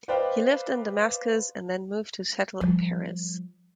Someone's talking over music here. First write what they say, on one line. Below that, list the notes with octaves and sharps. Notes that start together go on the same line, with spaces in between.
He lived in Damascus and then moved to settle in Paris.
B4 C5 D5 D#5 F5 G5
F3 G3